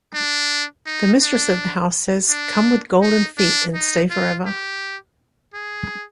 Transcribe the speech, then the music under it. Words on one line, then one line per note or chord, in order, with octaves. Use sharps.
The mistress of the house says "come with golden feet and stay forever."
D4
D#4
D4
D4
D#4
D4
D#4
F4
G4
G#4